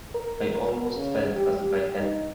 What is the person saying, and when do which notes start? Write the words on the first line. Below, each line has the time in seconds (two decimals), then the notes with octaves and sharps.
I almost felt as if I had.
0.14 A#4
0.53 A#4
0.96 C#3
1.36 G4
1.65 G4
1.99 D#4